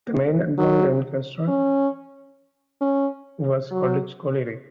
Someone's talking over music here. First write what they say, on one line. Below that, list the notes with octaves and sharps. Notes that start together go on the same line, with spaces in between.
The main employer in Chesterton was Holditch Colliery.
F#3
C#4
C#4
F#3